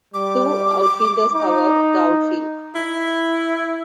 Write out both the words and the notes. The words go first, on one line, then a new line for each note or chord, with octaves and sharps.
Two "outfielders" cover the outfield.
G3 D6
D#4
E4